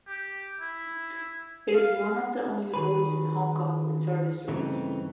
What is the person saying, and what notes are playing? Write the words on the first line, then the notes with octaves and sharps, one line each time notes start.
It is one of the only roads in Hong Kong with service roads.
G4
E4
F5
D#3 G#4 B4
G2 C#3 E3 A3 C4 D#4